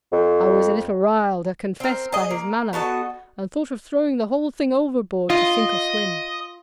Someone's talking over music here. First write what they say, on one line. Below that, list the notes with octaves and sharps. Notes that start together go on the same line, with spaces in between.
I was a little "riled," I confess, by his manner, and thought of throwing the whole thing overboard to sink or swim.
F2
C4 A#4
G#4 D#5
A#3
B3 F#4 A4 D#5
F4 D#5